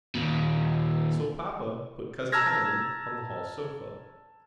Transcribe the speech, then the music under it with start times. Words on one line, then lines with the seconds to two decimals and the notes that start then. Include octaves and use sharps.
So Papa put Cousin Helen on the hall sofa.
0.15 D#2 A#2
2.32 A5 A#5 E6 F6 G#6 A#6